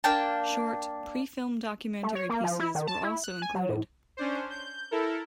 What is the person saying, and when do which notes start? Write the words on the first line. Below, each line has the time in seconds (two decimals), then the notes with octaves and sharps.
Short, pre-filmed documentary pieces were also included.
0.04 A#3 D4 G5 A5
2.03 A3
2.15 C#5
2.30 A#3
2.44 F3
2.59 E4
2.75 D#3
2.87 A5
3.03 E4
3.24 F#6
3.42 G#5
3.55 F#3
3.69 A2
4.17 C#4 D4 C5
4.50 G6
4.91 E4 A4 A#4